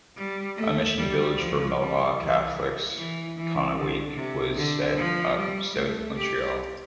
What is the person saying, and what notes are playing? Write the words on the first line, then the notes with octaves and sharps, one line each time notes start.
A mission village for Mohawk Catholics, Kahnawake, was set up south of Montreal.
G3
A3
G3
F3
G3
E3
E3
E3
D3
C3
D3
F3
G3
A3
G4